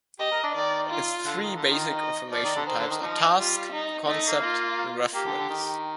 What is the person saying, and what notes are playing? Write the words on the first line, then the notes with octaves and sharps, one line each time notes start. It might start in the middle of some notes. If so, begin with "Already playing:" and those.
Its three basic information types are Task, Concept, and Reference.
G4 D#5
A#4
D4
D#3 D5
F4
D3
D#3
D3 F4
D#3
D#5
F3 D5
D#3
D3
D#3 C5
D3
D#3
F3 D#4
G3 F4
D#4
A3 D#4
A#3
F4
A#3 G4
D3
D3
D#3